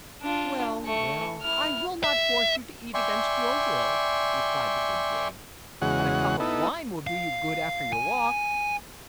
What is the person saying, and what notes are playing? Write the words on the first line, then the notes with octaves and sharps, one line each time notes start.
"Well, well, I will not force you to eat against your will," replied the good dame "But a cup of wine will do you good after your walk."
D4 F4
A3 C#6
E4 F6
E5
D5 E5 G5 G#5 C6 C#6
E2 C#3 G#3 F#4 F#5
B3 D#4 E4 A4
F5
G#5